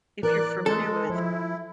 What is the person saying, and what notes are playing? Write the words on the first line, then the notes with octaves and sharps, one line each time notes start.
If you're familiar with
E3 A#4 D5 F#6
G#3 A4
F3 E4